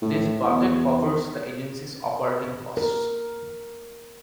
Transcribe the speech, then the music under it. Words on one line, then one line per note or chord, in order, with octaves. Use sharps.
This budget covers the Agency's operating costs.
A2
E2
A#4